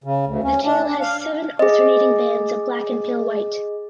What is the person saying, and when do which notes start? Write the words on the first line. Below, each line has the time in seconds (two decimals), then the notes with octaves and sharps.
The tail has seven alternating bands of black and pale white.
0.04 C#3
0.26 D2
0.44 C#4
0.65 D4
0.87 D4
1.00 F5
1.59 G#4 D#5